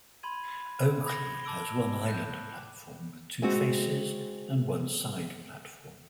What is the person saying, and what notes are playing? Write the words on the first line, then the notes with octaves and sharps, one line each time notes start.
Oakleigh has one island platform with two faces and one side platform.
B5 C6 G#6 D#7
B5 G#6 A#6 E7 G7
A5 D6 E6 D7 G7
F#6 G6 E7
G#3 C4 F#4